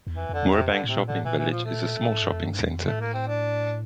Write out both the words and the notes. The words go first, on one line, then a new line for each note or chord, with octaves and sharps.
Moorebank Shopping Village is a small shopping centre.
E2
F2 E3
F2 D3
E2
C3
F2
D3
A2 C3
A#2
A2 D3
A#2 E3
E3
F3
A3
A#2
A2
G2
F2
G2
E2
F2
A2 A3
A#3
C4
D4